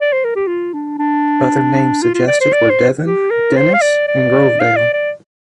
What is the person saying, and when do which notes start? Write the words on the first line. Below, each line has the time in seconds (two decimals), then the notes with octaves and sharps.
Other names suggested were Devon, Dennys and Grovedale.
0.01 D5
0.13 C5
0.24 A#4
0.36 G4
0.47 F4
0.73 D4
0.99 D4
2.02 F4
2.15 F4
2.27 D5
2.41 C5
2.53 D5
2.70 C5
3.04 G4
3.30 A#4
3.57 C5
3.73 F5
3.81 D5
4.08 D5
4.60 F5
4.76 D5
4.93 D5